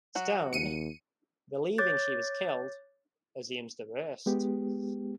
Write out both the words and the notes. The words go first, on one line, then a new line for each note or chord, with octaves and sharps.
Stone, believing she was killed, assumes the worst.
F#3 F#4
D#2 C#7 D#7
C#5 D6 F#6 G6 A6
G#3 B3 G4